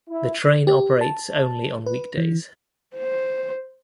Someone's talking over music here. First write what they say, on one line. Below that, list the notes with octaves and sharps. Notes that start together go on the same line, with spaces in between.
The train operates only on weekdays.
E4
G4
A5
B4
E3
C5